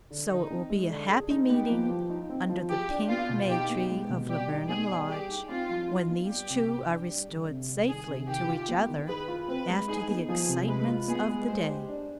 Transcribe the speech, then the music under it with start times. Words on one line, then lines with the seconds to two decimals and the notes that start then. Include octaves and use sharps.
So it will be a happy meeting under the pink may tree of Laburnum Lodge when these two are restored safely to each other after the excitements of the day.
0.10 D3
0.29 D3 D#4
0.50 C4
0.70 G#3
0.90 D3
1.10 G#4
1.30 D#4
1.50 B3 G4
1.70 F3
1.90 F3
2.10 D#4
2.30 C4
2.50 F3
2.69 G4 G#4
2.89 D4
3.09 B3 F4
3.29 B2
3.49 D#4 G4
3.69 B3
3.90 G#3
4.09 B2
4.29 G3 G4
4.49 D#4
4.69 B3 G#4
4.90 G3
5.09 G4 G#4
5.29 D#4
5.49 C4 F4
5.69 F3
5.89 D#4
6.09 B3
6.29 G3 G4
6.49 C3
6.68 G#4
6.89 D4
7.09 G3
7.28 D3
7.48 C3
7.69 G3
7.88 D#3 G#4
8.08 C3
8.28 D#3 G4
8.48 F4
8.69 B3
8.88 D#3
9.08 G#4 B4
9.28 F4
9.48 C4 B4
9.68 G#3
9.88 D#4 G#4
10.08 B3
10.29 F3 G#4
10.48 C3
10.68 G#3 B4
10.88 F4
11.08 B3 G#4
11.28 G#3
11.48 G#3 C5
11.68 G4
11.88 D4